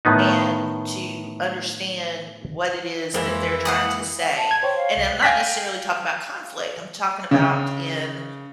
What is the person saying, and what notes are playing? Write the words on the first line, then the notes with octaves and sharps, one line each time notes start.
and to understand what it is that they're trying to say. And I'm not necessarily talking about conflict, I'm talking about in,
A2 D#3 B3 D#4
F2 E3 G#3 A#3 C4
F5 F#5 D#6
F#5
A5
G#6
C5 C#5 G5
F5
C2
F5 G5 G#5 A#6 B6
C#3